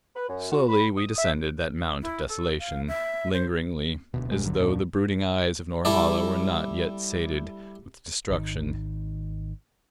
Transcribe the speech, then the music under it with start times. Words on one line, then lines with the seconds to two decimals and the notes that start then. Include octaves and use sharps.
Slowly we descended that mount of desolation; lingeringly, as though the brooding eyes of Norhala were not yet sated with destruction.
0.16 B4
0.29 F#2
0.52 F#4
0.68 B5
0.96 D#6
1.18 E5
2.02 E4
2.29 A4
2.59 F5
2.88 E5
3.33 C5
4.14 D1 D2 B2
4.31 D1 A1 B2 G#3
4.45 A1 G2 D3 F#3
4.58 D#2 A#2 B3 D4
5.85 G3 E4 A4 D5
8.30 G#1 D#3